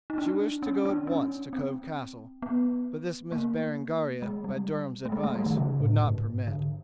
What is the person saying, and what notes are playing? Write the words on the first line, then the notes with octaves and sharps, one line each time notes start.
She wished to go at once to Cove Castle, but this Miss Berengaria, by Durham's advice, would not permit.
D#4
D4
C#4
D4
C#4
C4
B3
A#3
G#3
G3
A3
G#3
A3
G3
D#3
C#3
A2
G#2
D3